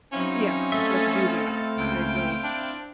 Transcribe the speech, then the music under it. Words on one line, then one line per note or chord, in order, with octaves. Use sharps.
Yes. Let's do that. I agree.
F#3 C4 C#4 D#4 E4 F5
A3 A4 D#5 E5
C#2 G5
D4